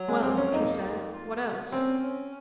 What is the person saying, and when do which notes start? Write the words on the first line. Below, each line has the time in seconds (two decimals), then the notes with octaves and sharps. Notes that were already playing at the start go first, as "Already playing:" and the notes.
"Well," she said, "what else?"
Already playing: F#3
0.08 G#3
0.22 F2 C4
0.37 C#4
0.53 A#3 D#4
0.83 F2
1.13 F4
1.42 C3
1.72 C4 C#4
2.02 C#4